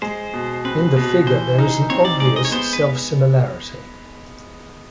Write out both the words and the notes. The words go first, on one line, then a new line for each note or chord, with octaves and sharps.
In the figure there is an obvious self-similarity.
G#3 C5
B2
C4 B4
B2
E3 C5
D#4
C4 C#5
D5
G#3 D5
D#5
C#5
B3 C5
B4